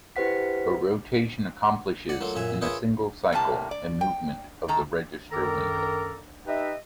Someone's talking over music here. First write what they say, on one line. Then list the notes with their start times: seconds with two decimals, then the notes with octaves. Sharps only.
A rotation accomplishes in a single cycle a movement of the register window.
0.16 E4 G4 B4 C5 F#5 B6
2.09 D5 F#5
2.21 F#3 A3 A#3 F4
2.36 F#2 A#2 E5 G#5
2.61 F4 G#4 A#4 B4 C#5 E5
3.32 A2 C3 G3 A#3 A5
3.71 D5
4.01 G5
4.68 D#3 A4 A#5
5.32 F#2 D#3 A4 A#4 A#5 D6
6.47 D#4 G4 B4 D#5 E5